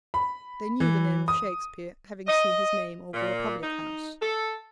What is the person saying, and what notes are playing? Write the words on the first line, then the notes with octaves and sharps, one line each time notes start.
They knew the name of Shakespeare, having seen his name over a public-house.
B5
E3
D#6
D#5
A#2
D#4
A4